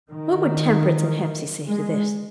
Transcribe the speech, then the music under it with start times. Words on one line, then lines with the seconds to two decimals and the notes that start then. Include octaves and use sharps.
"What would Temperance and Hepsey say to this?"
0.11 D#3
1.68 G#3